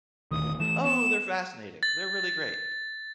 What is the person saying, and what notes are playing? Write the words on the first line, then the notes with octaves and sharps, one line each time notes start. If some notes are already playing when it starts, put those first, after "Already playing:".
Oh, they're fascinating, they're really great.
D#1 D2 D#3 D#6
E3 A3 E7
B3 E7
A6